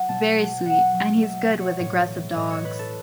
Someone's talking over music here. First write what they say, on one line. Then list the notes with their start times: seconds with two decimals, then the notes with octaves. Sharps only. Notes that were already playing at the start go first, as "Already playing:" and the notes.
Very sweet and he’s good with aggressive dogs.
Already playing: F#3 F#5
0.08 B2 A5
0.38 F#3
0.65 B2 F#5
0.94 F#3
1.22 B2 E5
1.41 E5
1.50 F#3
1.60 C#5
1.79 A2 C#5
2.08 E3
2.35 A2 D#5
2.50 C#5
2.64 E3 B4
2.79 A4